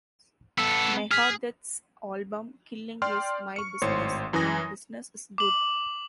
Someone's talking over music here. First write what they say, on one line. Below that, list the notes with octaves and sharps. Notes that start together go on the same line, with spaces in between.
Megadeth's album Killing Is My Business...And Business Is Good!
B3 A4 E6
G#4 F6 B6
D5 G5 C6 F6
C#6 C#7
G#1 A2 C5 C#5 C6 C#7
F#2 E3 G#5 D#6 A#6
D6 F#7